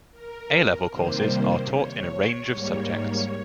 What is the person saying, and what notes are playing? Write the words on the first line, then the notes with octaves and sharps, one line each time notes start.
A-level courses are taught in a range of subjects.
A#4
C3 D#3 G3 A#3 C5
C#5
G#2 G3 A#3